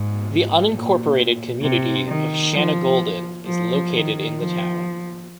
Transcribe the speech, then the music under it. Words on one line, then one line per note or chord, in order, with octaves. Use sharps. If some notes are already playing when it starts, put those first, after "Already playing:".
The unincorporated community of Shanagolden is located in the town.
Already playing: G#2
A#2
C3
D#3
F3
F3
D#3
F3